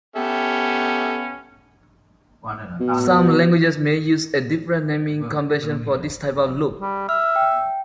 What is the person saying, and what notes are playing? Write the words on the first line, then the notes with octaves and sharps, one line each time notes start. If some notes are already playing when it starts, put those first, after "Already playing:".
Some languages may use a different naming convention for this type of loop.
B3 C#4 G4 A4 E5
B2
G3
E5 F6
G5